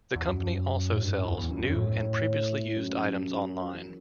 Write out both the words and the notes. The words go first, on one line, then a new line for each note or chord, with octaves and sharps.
The company also sells new and previously used items online.
E2
F#2
A2
G2
F#2
E2
E2
F#2
F#2
A2
F#2
E2